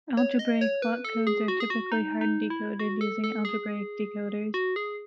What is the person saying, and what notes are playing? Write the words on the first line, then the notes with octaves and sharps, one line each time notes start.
Algebraic block codes are typically hard-decoded using algebraic decoders.
C#5
D#5
C#5
B4
A4
G#4
F#4
G#4
F#4
D#4
D#4
E4
F#4
A4
A4
G#4
F#4
G#4